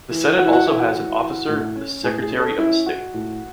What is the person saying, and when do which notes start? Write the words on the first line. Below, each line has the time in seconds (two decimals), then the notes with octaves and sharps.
The Senate also has as an officer the Secretary of the Senate.
0.11 E3
0.38 E3 F#4
0.46 E4
0.53 F#4
0.66 E3 E4
0.80 F#4
0.94 E3
1.21 E3
1.49 A2
1.76 C#4
2.03 A2 G#4
2.22 G#4
2.31 C#4
2.39 A4
2.58 C#4 E4
2.86 G#3 F#4
3.14 A2